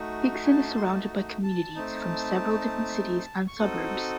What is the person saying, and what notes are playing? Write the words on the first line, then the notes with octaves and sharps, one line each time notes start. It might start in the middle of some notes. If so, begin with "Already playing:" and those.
Hixson is surrounded by communities from several different cities and suburbs.
Already playing: A3 D#4 F#4
G#5
A5
C6
A5
A5
A3 C4 D#4
C#6
C4 D#4 F#4 A4 D#6